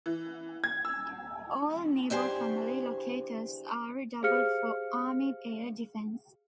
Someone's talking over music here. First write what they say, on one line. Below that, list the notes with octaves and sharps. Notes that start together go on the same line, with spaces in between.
All Nebo-family locators are doubled for army air defence.
E3
G#6
E6
E2 D4 G4 C5 G#5
G4 G#4 C5 F5 F6 C#7